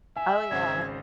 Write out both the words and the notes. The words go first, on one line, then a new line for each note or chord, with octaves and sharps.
Oh, yeah.
E5 G#5
G#1 C#3 C5 G#6